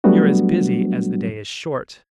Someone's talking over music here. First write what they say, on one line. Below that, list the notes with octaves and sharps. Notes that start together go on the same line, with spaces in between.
"You're as busy as the day is short!"
F#3 G3 A3 B3 D4 F#4